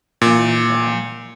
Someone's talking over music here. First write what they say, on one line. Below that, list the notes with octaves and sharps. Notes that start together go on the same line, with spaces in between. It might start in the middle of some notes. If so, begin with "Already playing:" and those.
And, uh,
A#2